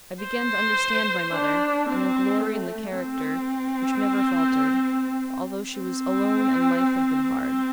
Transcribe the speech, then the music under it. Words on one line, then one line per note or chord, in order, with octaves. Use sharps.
I began to understand my mother and the glory in the character which never faltered, although she was alone and life had been hard.
C5
D4
C4
A3
C4
C4
C4